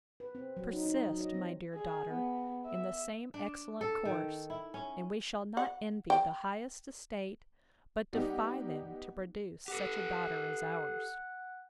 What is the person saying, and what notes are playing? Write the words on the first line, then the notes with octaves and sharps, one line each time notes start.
Persist, my dear daughter, in the same excellent course; and we shall not envy the highest estate, but defy them to produce such a daughter as ours.
B4
C4
F#3
D#4
D#4
F#3
D#5
C4
G#4
B3
E5
D4
A4
D#3
E4
C#4
F#5
G5
G3 B3 D#4 G4
G4 A4 F#5